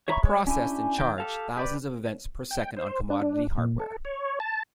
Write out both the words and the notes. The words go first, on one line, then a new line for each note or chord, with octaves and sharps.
It processed and charge thousands of events per second on commodity hardware.
C#5 E5 A#5 B5 C#6
G#3 C#5
C#4 D4 E4 G4 G#5
D#3 G5
G4 A4 F5
G4 B4 D5
G5
C5
D4
D4
A#2
A4
C#5
A5